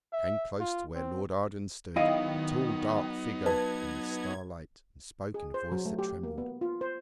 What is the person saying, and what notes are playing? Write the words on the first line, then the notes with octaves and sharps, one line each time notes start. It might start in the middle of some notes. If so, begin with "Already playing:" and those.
He came close to where Lord Arden stood--a tall, dark figure in the starlight--and spoke in a voice that trembled.
E5
F4
C4
D#3 F#3 B3 D#4 E4 D#5 F5
B4 A5 G#6
G#4
C5
F#3
A3
G4
A#3
B3
F4
C5